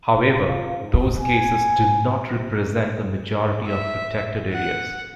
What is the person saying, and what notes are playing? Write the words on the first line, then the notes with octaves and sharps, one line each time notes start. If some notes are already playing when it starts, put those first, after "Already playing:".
However, those cases do not represent the majority of protected areas.
F4
G#2
G#5
C3
E5
F#5